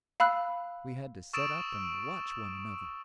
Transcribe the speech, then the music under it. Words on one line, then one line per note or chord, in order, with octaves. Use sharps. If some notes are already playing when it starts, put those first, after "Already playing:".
We had to set up and watch one another.
F5 B5 E6 F#6
C#6 D#6 E6 A6 D7 E7